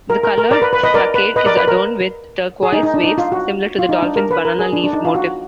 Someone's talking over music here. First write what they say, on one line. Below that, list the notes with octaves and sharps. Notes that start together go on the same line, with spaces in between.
The colored facade is adorned with turquoise waves similar to the Dolphin's banana-leaf motif.
A#4
A#4
A#4
A#4 D5
B4
B4
B4 D#5
A#4 D5
B4
B4 D#5
A#4 D5
B4
A#4
G#4
D#4
D#4
D4
D#4
F4
F#4
F4
D#4
D4
A#4
B4
A#4
G#4
D4
D4
D#4
F4
F#4